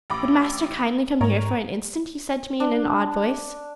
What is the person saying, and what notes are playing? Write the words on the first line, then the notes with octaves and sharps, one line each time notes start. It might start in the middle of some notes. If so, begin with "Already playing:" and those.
"Would master kindly come here for an instant?" he said to me in an odd voice.
A1 B5 D6
G#2 A#4 C#5 A#5
D4